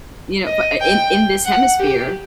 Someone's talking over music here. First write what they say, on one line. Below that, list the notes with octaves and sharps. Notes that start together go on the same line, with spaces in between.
you know f in in this hemisphere.
D#5
G5
F#5
G4